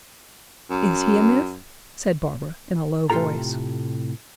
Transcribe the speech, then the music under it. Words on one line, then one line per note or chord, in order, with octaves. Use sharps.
"Is he a myth?" said Barbara, in a low voice.
F#2
A2 C3 F4 G4 A4 A#5